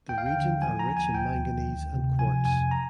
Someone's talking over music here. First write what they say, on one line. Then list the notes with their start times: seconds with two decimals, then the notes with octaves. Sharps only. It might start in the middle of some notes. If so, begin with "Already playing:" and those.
The region are rich in manganese and quartz.
0.09 D#2 G5
0.18 F5
0.26 G5
0.36 D3
0.62 F3 G#5
0.79 A#5
0.88 D#2
0.97 G#5
1.14 D2 G5
1.40 D#3
1.66 D2
1.93 C3
2.19 F3 G#5
2.45 F2 G#5
2.71 A#5